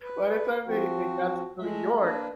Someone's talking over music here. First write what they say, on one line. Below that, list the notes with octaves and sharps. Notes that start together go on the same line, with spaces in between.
By the time they they got to New York
B4
F3 C4 F#4
G#3 A3 E5
A#3 D4 B4